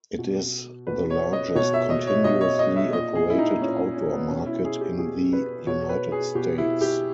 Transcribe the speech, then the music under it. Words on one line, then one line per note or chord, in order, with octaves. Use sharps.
It is the largest continuously operated outdoor market in the United States.
B2
B2 B4
C#5
D#5
B2 C#5
E5
D#5
C#5
B2 D#5
C#5
D#5
E5
A#2 D#5
G#4
E4
D#4
D#4
A#2 C#4
C#4
C#4
B3
B2 C#4
E4
G#4
G4
B2 G#4
B4
B2 C#5
B4
G#4
B2 G4
E4
G4